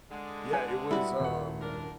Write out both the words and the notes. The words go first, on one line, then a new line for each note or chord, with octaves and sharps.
Yeah, it was, um
D3 G#3
B4 G#5
G3 E4 F#4
D#1 F#5
D4 A#4